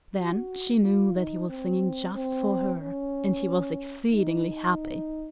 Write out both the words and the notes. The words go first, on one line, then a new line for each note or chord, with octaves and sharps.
Then she knew that he was singing just for her, and she was exceedingly happy.
F#4
F4
D#4
C4
C4
C#4
D#4